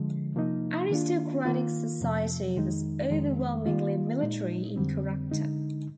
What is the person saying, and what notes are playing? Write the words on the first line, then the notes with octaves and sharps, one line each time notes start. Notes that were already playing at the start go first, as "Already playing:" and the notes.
Aristocratic society was overwhelmingly military in character.
Already playing: D3 F3 G#3
C3 F3 A#3 D#4
D#3 A#3 D4 F4
D#3 A#3 F4
F2 C3 F3
F2 D#3 G#3 D#4
F2 D#3 G#3
D#3 A#3 F4
A#2 G#3 D#4
F2 D3 G3 C4
D3 G#3 D#4